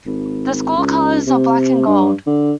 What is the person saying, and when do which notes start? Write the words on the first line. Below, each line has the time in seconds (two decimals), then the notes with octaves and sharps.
The school colors are black and gold.
0.06 G#1
0.77 C#2
1.27 C3
1.87 G2
2.27 D3